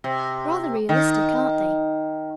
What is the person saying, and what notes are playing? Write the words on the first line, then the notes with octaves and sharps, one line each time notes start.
Rather realistic, aren't they?
C3
D#3